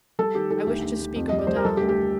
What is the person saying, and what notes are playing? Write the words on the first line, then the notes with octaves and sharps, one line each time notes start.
"I wish to speak of Madame."
G3 A4
D#3 G4
D#3 A4
D2 G4
D2
D2
F2
G3 D#5
D5
G3 C5
A#4
G3 A4
G4
D2
G4